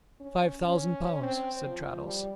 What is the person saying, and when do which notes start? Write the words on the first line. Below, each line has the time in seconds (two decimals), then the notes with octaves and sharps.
'Five thousand pounds,' said Traddles.
0.20 C#4
0.68 C#4
1.23 C4
1.66 F3
2.03 G3